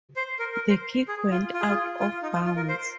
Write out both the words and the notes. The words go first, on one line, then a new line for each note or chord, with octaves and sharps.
The kick went out of bounds.
C5
A#4
A#4
C5
G#4
F4
F4
G#4
F4
F4
D#4
F4
F4
A#4
C5